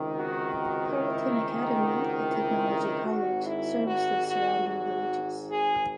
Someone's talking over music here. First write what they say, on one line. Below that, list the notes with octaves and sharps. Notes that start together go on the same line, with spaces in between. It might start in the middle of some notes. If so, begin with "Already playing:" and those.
Tarleton Academy, a Technology College, serves the surrounding villages.
Already playing: C#2 C3 D#3
F#4
F#4
E4
G#4
F#4
E4
G#1 G#2 D#3 F#4
E4
F#4
F#4
F#4
G#4